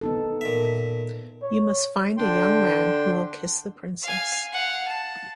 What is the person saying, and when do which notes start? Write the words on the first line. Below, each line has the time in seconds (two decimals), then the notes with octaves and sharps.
You must find a young man who will kiss the princess.
0.01 B3 D#4 A4
0.41 A#2 E5
1.42 C#5
2.17 D3 D4 G5 C6
4.03 F5 G#5
4.52 F5 F#5
4.88 A5